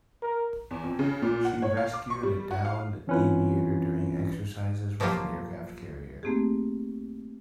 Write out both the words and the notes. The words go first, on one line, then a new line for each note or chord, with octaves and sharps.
She rescued a downed aviator during exercises with an aircraft carrier.
A#4
E2
F2
C#3
A#2
F#5
C#5
F5
D6
C#6
G3
F#4
F5
E3 C4 C#4 E4 F4 B4
B2 F3 F#3 A#3 F4 G4
A3 A#3 C4 D#4 G4 G#4